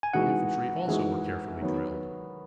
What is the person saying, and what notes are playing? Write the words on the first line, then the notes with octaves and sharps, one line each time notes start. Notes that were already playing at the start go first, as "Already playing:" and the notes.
The infantry also were carefully drilled.
G#5
E3 G#3 D#4 F#4 F#5
E3 G#3 D#4 F#4
D#3 F#3 B3